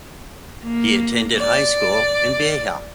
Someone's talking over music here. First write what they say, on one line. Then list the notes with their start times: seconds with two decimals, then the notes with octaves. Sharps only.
He attended high school in Beja.
0.64 A#3
1.37 D5